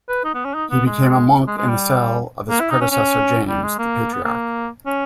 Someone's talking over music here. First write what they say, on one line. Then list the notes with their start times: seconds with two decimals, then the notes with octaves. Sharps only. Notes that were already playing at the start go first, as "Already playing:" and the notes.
He became a monk in the cell of his predecessor James, the Patriarch.
0.09 B4
0.24 D#4
0.34 B3
0.45 C#4
0.54 D#4
0.71 B3
0.86 G#3
1.47 G#3
1.57 G#3
1.68 G3
2.50 A#3
2.60 E4
2.70 D#4
2.81 C#4
2.91 C#4
3.49 G3
3.63 G#3
3.78 A#3
4.13 B3
4.24 A#3
4.86 C#4